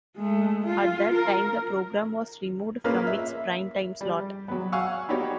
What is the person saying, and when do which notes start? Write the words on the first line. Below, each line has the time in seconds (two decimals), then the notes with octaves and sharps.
At that time the program was removed from its prime-time slot.
0.17 G#3 A3
0.64 F4
1.15 A#4
2.84 A#3 C#4 F4 G#4 A#4 B4
3.07 E5
4.01 G3
4.48 F#3 B3
4.72 F5 F#5 G#5 C#6 E6
5.09 B3 D#4 F#4 G4 C#5